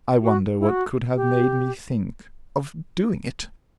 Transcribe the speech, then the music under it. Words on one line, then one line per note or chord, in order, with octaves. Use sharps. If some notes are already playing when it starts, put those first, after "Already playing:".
I wonder what could have made me think of doing it!
F#4
E4
F#4
G4